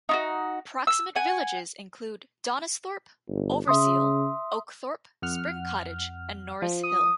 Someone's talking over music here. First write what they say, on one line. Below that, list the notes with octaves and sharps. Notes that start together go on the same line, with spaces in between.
Proximate villages include Donisthorpe, Overseal, Oakthorpe, Spring Cottage and Norris Hill.
D#4 F4 F#4
E6
F#5 G#5
G1
C#3 E5 C6 D#6
F2 F#5 F6
F3
D#6